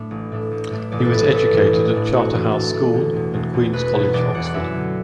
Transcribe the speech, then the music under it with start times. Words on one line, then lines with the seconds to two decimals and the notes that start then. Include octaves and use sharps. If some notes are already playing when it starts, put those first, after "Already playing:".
He was educated at Charterhouse School and Queen's College, Oxford.
Already playing: A2 A3 D4
0.11 A1
0.32 A2 A3 D4
0.51 A1
0.70 A2 A3 D4
0.92 A1 D5
1.00 A4 B4
1.12 A2 A3 D4
1.19 B4
1.31 A1 A4
1.52 A2 E3 A3 D4
1.72 A1
1.93 A2 E3 A3 D4
2.13 A1 F#4
2.33 A2 E3 A3 D4
2.53 A1 A4
2.73 A2 E3 A3 D4
2.94 E1
3.13 E2 B2
3.34 E1
3.54 E2 B2
3.73 E1 B4
3.94 E2 B2
4.14 E1 D5
4.34 E2 B2 F#5
4.46 F#5
4.54 F#2 E5
4.74 D3 B3